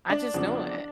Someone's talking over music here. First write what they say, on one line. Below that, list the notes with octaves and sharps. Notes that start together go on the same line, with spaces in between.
I just know it.
D4
E2 C#3 F3